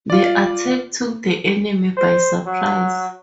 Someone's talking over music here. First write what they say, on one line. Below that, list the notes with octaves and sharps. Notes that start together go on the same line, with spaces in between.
The attack took the enemy by surprise.
F4 D5
C5
F#3